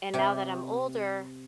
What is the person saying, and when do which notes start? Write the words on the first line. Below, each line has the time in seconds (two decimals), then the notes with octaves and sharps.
and now that I'm older,
0.14 C3 G4